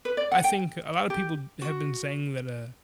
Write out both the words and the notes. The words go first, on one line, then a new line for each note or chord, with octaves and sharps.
I think a lotta people have been saying that, uh
B4
D5
F#5
G5
G4
F#4